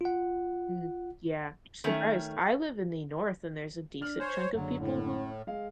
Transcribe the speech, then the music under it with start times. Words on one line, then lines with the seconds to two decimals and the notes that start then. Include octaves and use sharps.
Mm, yeah, I'm surprised, I live in the North, and there's a decent chunk of people who
0.01 F4 F#5
1.84 D#3 A3 C#4
4.01 D4 F6 F#7
4.20 C5 C#5 G#5
4.54 F#1 D3 F#3
4.78 A2
5.47 G#3 F5